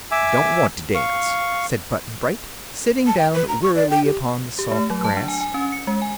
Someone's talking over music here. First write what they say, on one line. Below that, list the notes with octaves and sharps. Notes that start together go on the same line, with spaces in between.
"Don't want to dance," said Button-Bright, sitting down wearily upon the soft grass.
E5 G#5 D6 E6
F5 C#6
A5
G5
B4
A#5
C#6
D5
G5
G4
G4
A3
F#3
A5
D4
G#5
G#5
C#4
C#7
G#3
G#5